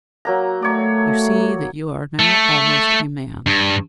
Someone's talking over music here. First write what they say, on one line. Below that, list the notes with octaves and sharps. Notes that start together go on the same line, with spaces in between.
You see that you are now almost a man.
F#3 A#3 A#5
A3 C#5 D5
A3
G2